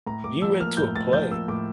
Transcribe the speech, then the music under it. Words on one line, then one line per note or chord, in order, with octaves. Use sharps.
you went to a play.
A2 A#5
A2 D6
F3 E6
A#3 F6
A2 G6
A2 A6
F3 G6
A#3 E6
A2 D6